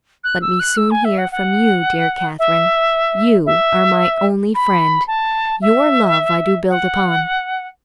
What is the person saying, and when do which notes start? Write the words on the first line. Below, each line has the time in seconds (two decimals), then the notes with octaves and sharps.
Let me soon hear from you, dear Catherine; you are my only friend; your love I do build upon.
0.24 F#6
0.42 E6
0.60 F#6
0.77 E6
0.91 G#5
1.05 E5
1.18 F#5
1.32 F#5
2.39 E5
3.46 E5
4.55 B5
5.08 A5
5.62 E5
6.70 F#5